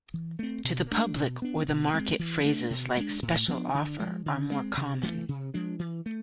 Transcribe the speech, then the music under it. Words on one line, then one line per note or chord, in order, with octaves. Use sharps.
To the public or the market, phrases like "special offer" are more common.
E3
A3 C4
B2
A3 D4
B2
B3 D4
B2
G#3 C4
E3
A3 D4
B2
G#3 D4
A2
F3 B3 D4
D3
F3 G#3
D3
G#3 C4
C3
E3 A3
C3
F3 G#3 D4
E3
A3